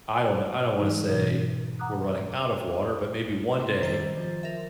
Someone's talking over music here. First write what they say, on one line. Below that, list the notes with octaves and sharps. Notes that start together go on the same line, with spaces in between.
I don't kn I don't wanna say we're running out of water, but maybe one day,
G#2 D3 E3 G#3 D#4
B2 E3
F#5 A#5 D6 D#6 F#6
C4 E4 C5
C3 D#3 G3 C5 A6
F3
A#4 E5